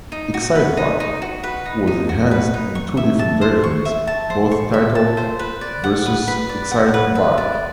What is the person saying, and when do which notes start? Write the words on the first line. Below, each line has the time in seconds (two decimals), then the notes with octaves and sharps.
"Excitebike" was enhanced in two different versions, both titled "Versus Excitebike".
0.12 D#4
0.34 F#4
0.55 B4
0.77 D#4
1.00 D#4
1.22 F#4
1.43 B4
1.66 D#4
1.87 D#4
2.09 F#4
2.31 B4
2.54 D#4
2.75 C#6
2.97 E5
3.19 A5
3.41 C5
3.64 C#6
3.85 E5
4.07 A5
4.30 C5
4.52 C#6
4.74 E5
4.95 A5
5.17 C5
5.39 B4
5.61 D5
5.84 F#5
6.06 B4
6.28 B4
6.49 D5
6.71 F#5
6.94 B4
7.15 B4
7.38 D5